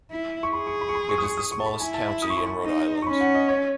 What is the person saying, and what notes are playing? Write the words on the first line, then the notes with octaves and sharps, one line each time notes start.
It is the smallest county in Rhode Island.
E4
C#6
G#4 B5
C#6
B5
C#6
B5
C#6
D#6
C#6
D#6
C#6
A5
B5
E4 G#5
A5
B5
D#6
C#6
B5
C#6
D#4
C#6
C#4 B5
F#5
D#5
C#5